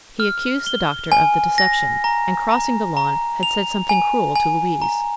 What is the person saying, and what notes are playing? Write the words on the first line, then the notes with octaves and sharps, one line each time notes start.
He accused the doctor of the deception, and, crossing the lawn, had said something cruel to Louise.
F6
G7
G#5
A#6
A#5
A#5
A#5
F7
G#5
G#5
A#5